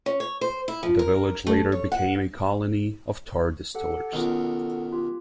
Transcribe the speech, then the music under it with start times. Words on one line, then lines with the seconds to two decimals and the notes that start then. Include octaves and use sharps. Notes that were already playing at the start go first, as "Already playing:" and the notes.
The village later became a colony of tar distillers.
0.06 C#4
0.20 C#5
0.41 C5
0.68 E4
0.83 F3
0.99 A#4
1.47 A3
1.72 C#5
1.92 F#5
3.75 G4 A4 F#5
4.13 C#2 B2 D#3
4.92 F4 G4